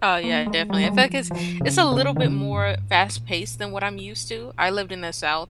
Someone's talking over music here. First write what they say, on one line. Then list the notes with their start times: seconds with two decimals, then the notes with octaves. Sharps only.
Oh, yeah, definitely. In fact, it's it's a little bit more fast paced than what I'm used to. I lived in the South.
0.24 A#3
0.46 G#3
0.70 G3
0.84 G#3
0.92 G3
1.01 F3
1.31 F3
1.61 C#3
1.92 C#3
2.16 D#3
2.22 C#3
2.53 G2
2.84 G#2
3.15 A#2
5.28 C3